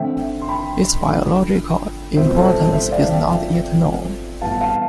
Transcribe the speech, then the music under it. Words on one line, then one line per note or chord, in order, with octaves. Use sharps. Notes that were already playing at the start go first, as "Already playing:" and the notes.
Its biological importance is not yet known.
Already playing: D3 A3 C4 E5 G5
C6
G5 B5
D3 F3 A3
B2 G3 C4 F4 C5 E5
A4 C5
C5 E5
D5 F5
E5 G5
C3 F3 C4
A2 G3 B3 F5 A5
F5 A5